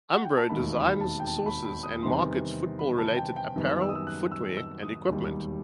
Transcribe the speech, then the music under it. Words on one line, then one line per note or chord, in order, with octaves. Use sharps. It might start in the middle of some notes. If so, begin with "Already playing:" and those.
Umbro designs, sources, and markets football-related apparel, footwear, and equipment.
F#5
G5
A5
E1 D#2 D#3 A3 B5
B5
A5
G5
A5
B5
B5
D#6
E2 C3 D#3 G3 C6
B5
A5
G5
G5
F#2 D#3 G3 B3
E6
D#6
E6
F#6
E6
E6
D#6
E1 D#2 D#3 G3